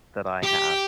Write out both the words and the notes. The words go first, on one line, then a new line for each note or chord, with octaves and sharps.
that I have
G4